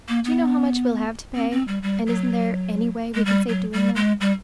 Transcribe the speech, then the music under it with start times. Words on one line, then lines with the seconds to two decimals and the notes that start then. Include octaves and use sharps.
"Do you know how much we'll HAVE to pay? And isn't there any way we can save doing that?"
0.09 A#3
0.25 B3
1.35 C4
1.52 C4
1.68 G3
1.83 G3
2.07 F#3
3.15 G#3
3.26 G3
3.49 F#3
3.73 G3
3.96 G#3
4.21 G3